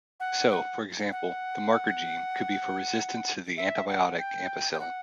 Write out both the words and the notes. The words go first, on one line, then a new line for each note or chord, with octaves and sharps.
So, for example, the "marker gene" could be for resistance to the antibiotic ampicillin.
F#5
F#5
F#5
E5
F#5
G5
G5
F#5